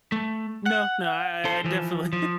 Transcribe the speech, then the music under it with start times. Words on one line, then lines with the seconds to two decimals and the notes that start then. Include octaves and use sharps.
No. No, I I I definitely,
0.12 A3
0.66 F#5
1.45 A4 C5
1.64 E3 F3
2.13 F3